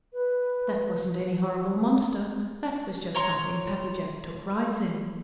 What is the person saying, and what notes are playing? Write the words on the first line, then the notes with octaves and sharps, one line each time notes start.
That wasn't any horrible monster, that was just something Pappy Jack took rides in.
B4
C#5 A#5 C6